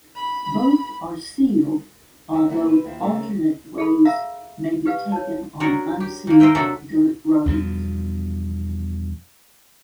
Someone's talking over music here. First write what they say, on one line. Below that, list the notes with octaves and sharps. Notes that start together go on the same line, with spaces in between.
Both are sealed, although alternate ways may be taken on unsealed dirt roads.
B5
F2 F#3 D#5 E5
F2 E3 A#3 D4 E5 F#5
F3 A4 B4
D#2 E4 F4 C5
C#3 A3 C4 C#4 A#4
G#4 A4 B5
A#4 E5 F5 A#5
G4 B4 F5
C#5 A5
F#3 D4 A#4 C#5
G4
D#3 A#3
A#4 C5 D#5 E5 G5
C3 F#3 D4 A4 E5
E2 G2 B2 F3